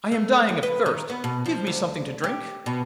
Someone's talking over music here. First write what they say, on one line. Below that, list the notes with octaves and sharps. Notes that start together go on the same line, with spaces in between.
'I am dying of thirst; give me something to drink.'
A3
D#2
B4
D#3
B3
B2
F3
D2
G4
B2